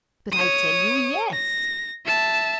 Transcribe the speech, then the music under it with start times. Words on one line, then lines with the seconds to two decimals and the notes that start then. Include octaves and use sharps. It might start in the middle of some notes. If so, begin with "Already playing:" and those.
"But I tell you yes."
0.32 C#5 D#6
1.32 A#6
2.05 E5 A5